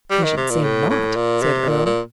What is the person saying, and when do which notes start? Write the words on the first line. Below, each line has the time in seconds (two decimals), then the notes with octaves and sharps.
"I should say not," said Earle.
0.11 G3
0.24 D#3
0.37 C3
0.50 A#2
0.63 A2
0.90 A2
1.16 A#2
1.42 C3
1.68 A#2
1.86 A#2